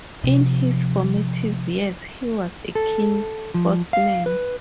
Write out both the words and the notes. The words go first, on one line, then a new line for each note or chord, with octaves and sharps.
In his formative years, he was a keen sportsman.
C3 F3
A4
F3
F5
B4